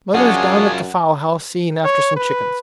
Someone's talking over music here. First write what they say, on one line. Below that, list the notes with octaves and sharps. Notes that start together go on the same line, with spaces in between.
Mother's down at the fowl-house seeing after some chickens.
F#2 C#4 D4 F4 G#4 C#5 F#5
C#5
B4